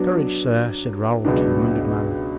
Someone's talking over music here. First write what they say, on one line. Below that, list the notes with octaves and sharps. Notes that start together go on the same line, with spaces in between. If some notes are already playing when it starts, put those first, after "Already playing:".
"Courage, sir," said Raoul to the wounded man.
Already playing: F#3 B3 D4
C#2 B2 F#3 B3 D4